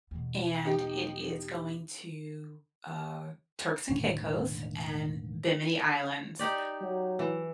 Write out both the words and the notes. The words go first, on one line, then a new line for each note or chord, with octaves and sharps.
and it is going to, uh, Turks and Caicos and Bimini Islands.
E2 B2
D#4 G4
E1 A2 D3 D#3
D#4 G4 D5
F#3
E3